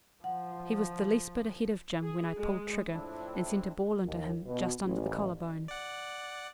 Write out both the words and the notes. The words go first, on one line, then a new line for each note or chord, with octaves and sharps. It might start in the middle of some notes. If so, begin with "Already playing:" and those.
He was the least bit ahead of Jim, when I pulled trigger, and sent a ball into him, just under the collar-bone.
F3 F#5
G#4
G#3
F2 A2 F3 C4 D4 E4
D#2
B2
A1
D5 F#5